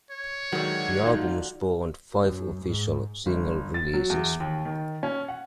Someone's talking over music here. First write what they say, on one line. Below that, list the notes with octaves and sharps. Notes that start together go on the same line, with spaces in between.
The album spawned five official single releases.
C#5
D3 D#3 F#3 G#3 F#4
D#4 F4
F#2
G#2
G1
A6
F#3
E2
D#2
D#3
C#4
F#5